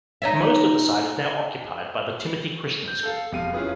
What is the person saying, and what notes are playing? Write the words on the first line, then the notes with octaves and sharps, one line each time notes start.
Most of the site is now occupied by the Timothy Christian School.
D#4 C#5 E5
G6
A4 F5
E1 F2 G3 F5 D#7
C#4 E4 F4 G#4 B4